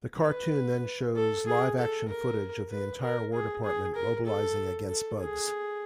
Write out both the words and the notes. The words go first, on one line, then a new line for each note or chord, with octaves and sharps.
The cartoon then shows live-action footage of the entire War Department mobilizing against Bugs.
B4
A4
G#4
A4
A#4
B4
A#4
G#4
G#4
A#4
A4
A4
G#4